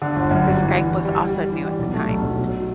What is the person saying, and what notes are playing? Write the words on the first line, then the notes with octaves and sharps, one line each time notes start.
'cause Skype was also new at the time.
D3
G1
F#2
G3
E3
E3
E3
G3
G3
G3
E3
G3
B1
A3
B1
B1
F#3